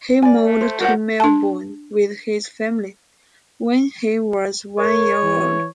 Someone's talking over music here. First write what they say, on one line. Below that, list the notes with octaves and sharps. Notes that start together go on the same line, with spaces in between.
He moved to Melbourne with his family when he was one year old.
D5 G#5
A3
C5
F3 G3 F#4 A#4 C#5 F#5
D4 A5
A#4 C#5
E3